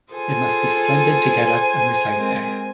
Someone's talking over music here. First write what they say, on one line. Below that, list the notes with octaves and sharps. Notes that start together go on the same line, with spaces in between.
It must be splendid to get up and recite there.
F4 G#4 A4 C5 G#5
G#3 C4 A#4